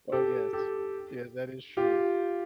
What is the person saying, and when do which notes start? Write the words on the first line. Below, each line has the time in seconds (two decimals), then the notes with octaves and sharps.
Oh, yes. Yes. That is true.
0.12 G4 A4
0.53 G4 A4
1.77 F4 G4